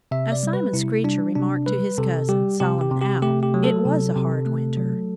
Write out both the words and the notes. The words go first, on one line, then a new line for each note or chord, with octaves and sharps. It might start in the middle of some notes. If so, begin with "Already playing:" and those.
AS SIMON SCREECHER remarked to his cousin, Solomon Owl, it was a hard winter.
C3 E5
D5
G3
B4
C3 E4
G3 D4
C3 D4
G3 B4
C3 A4
G3 G4
C3 G4
G4
C3
G4
A3 G4
G4
F#3
A4
C3
C3
A3
F#3